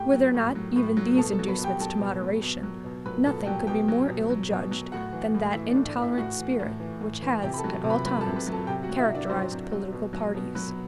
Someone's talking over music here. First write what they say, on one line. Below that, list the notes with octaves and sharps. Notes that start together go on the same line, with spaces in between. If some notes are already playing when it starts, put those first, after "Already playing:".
Were there not even these inducements to moderation, nothing could be more ill-judged than that intolerant spirit which has, at all times, characterized political parties.
Already playing: A2 G4 G5
F#3
A2
F#3
A2
F#3
B2 A4 A5
A4 A5
F#3
B3 B4
B2
G4 G5
F#3 A4 A5
B2
F#3
B2
F#3
B2
F#3 B4 B5
B2 A4 A5
F#3 G4 G5
B2 G4 G5
F#3
B2
F#3
B2
F#3
A2 F#4 F#5
E3
A2
E3 E4 E5
D4 D5
A2
D4 D5
E3
E4 E5
A2 F#4 F#5
E3
A2
E3
A2
E3
C3 G4 G5
B5
A4 A5
F#3
C3
B4 B5
F#3 B4 B5
A4 A5
C3
B4 B5
F#3
A4 A5
C3 G4 G5
F#4 F#5
F#3
E4 E5
C3
D4 D5
F#3 C4 C5
C3
F#3
B2
F#3
B2
F#3 B3 B4